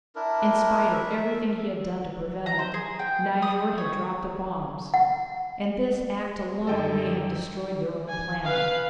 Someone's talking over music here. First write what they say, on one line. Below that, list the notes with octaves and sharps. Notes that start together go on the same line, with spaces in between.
In spite of everything he had done to prevent it, Nyjord had dropped the bombs. And this act alone may have destroyed their own planet.
D4 E4 A#4
E5
A#5
C5
G#4
G5
D#6
C#5
F#5
F#2 D3 D#3 A4 D#5 G5
G#5
B4 F5